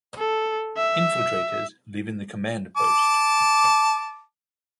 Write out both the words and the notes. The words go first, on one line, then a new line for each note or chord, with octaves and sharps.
Infiltrators live in the Command Post.
A4
E5
A5 D6